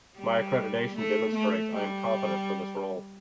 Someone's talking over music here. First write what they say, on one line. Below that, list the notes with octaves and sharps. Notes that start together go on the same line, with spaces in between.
My accreditation demonstrates I am competent for this role.
G3
A3
A3
G3